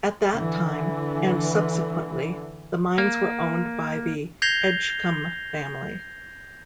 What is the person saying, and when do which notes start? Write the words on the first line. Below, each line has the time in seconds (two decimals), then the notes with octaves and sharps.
At that time and subsequently, the mines were owned by the Edgcumbe family.
0.32 D3 E3
2.98 A#3
4.42 G6 G#6 A#6 C7 F7 G7